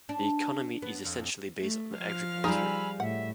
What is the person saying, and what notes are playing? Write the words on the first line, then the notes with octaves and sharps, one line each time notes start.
The economy is essentially based on agriculture.
D4
B3
F2
A3
F3 F5 F6
G3 D#4 F4 G4 G#4 G#5 B5 E6
A2 E5 F#5